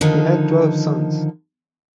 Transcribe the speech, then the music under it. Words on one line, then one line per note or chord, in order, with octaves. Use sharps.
He had twelve sons.
D3 D#3 F3 D#4